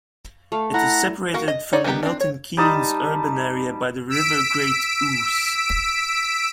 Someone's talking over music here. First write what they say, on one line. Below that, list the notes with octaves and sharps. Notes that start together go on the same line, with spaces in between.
It is separated from the Milton Keynes urban area by the River Great Ouse.
A3 F5
E4 F#5 A#5
A#3 F#4 A#4
D#5
D#4 C#5 D5
D#3 G3 B3 G4 A#5
C4 D4
C#5
G3 D#4 A5 D#6
E6 B6 D7